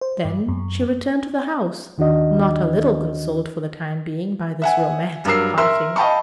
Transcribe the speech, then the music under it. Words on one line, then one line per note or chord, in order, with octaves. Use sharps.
Then she returned to the house, not a little consoled for the time being by this romantic parting.
C5
G2
F#2
D#2 D#3 D4 F#4 D#5
E5 F#5 G#5
G2 F#3 A#4 E6 C7
A#4 E5 C6 E6
D#5 F5 G5 A5 B5 C#6